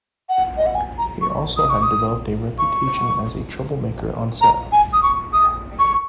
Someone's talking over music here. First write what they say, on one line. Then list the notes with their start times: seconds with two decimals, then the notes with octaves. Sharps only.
He had also developed a reputation as a troublemaker on set.
0.29 F#5
0.57 D#5
0.66 F#5
0.75 G#5
0.98 A#5
1.21 C#6
1.57 D#6
1.70 C#6
1.83 D#6
2.59 C#6
4.41 A#5
4.72 G#5
4.93 D#6
5.03 C#6
5.33 D#6
5.79 C#6